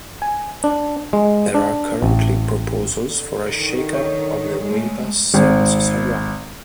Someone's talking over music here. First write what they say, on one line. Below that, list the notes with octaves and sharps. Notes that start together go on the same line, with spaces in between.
There are currently proposals for a shake-up of the way bus services are run.
G#5
D4
G#3
D4
A1
D3
D#3
C#5
G#3 A3
G#1